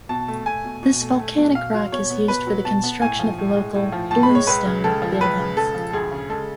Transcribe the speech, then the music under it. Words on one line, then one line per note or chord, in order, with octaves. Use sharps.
This volcanic rock is used for the construction of local "bluestone" buildings.
B2 A5
A3
A3 G#5
B2
B2
A3
A3
B2
B2 F5
F#3
B2 C#5
B3
B2 B4
F#3
B2 A5
B3
A2 G#5
F3
A2
G#3
A2
F3
A2 A5
B5
G#3
C#5
C#2 B4
C#3
C#2 A4
F3
C#2 B4
C#3
C#2 A4
F3
D2 G#4
C#3
G#3 A4